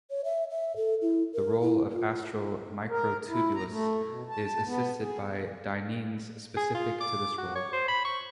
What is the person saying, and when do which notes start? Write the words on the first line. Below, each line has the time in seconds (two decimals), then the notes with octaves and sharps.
The role of astral microtubules is assisted by dyneins specific to this role.
0.10 C#5
0.25 E5
0.50 E5
0.76 A4
1.01 E4
1.33 A#4
1.61 E4
1.92 F4
2.89 A#4
3.28 E4
3.55 A#5
3.68 A3
4.06 B2
4.29 A5
4.66 B3
5.01 G#4
6.57 G#4
6.75 F4
7.01 D6
7.38 F#4
7.55 C#5
7.73 C5
7.88 B5
8.05 C#6